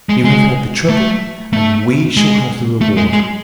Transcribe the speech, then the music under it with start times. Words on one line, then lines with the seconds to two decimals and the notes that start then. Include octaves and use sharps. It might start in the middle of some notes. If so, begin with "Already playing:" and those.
You have had the trouble and we shall have the reward.
0.09 G#3
0.25 G#3
0.89 A3
1.53 A3
2.17 G#3
2.81 A3
2.97 G#3
3.13 G#3